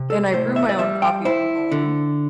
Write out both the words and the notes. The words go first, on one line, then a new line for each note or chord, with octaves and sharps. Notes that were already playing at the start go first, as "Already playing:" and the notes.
And I brew my own coffee from home.
Already playing: C3
A4
A2 C5
E5
D5
G3 E5
G5
E4 C5
D3